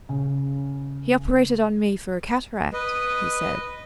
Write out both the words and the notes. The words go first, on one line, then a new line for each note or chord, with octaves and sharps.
"He operated on me for a cataract," he said.
C#3
B4 D#5